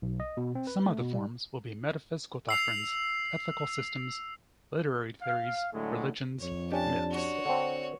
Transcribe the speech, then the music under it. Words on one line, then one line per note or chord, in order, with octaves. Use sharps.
Some of the forms will be metaphysical doctrines, ethical systems, literary theories, religions, myths.
B1
D#5
B2
C4
B4
A3
B2
G3
E6 C7 F7
F5
A2 D3 F#3 G#3 A3 G#4
F2 C#5
C#4 D4 G4 A5
F#4 C#5
D3 C4